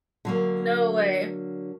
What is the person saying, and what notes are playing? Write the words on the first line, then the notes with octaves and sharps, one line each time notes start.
No way.
D3 F#3 A#3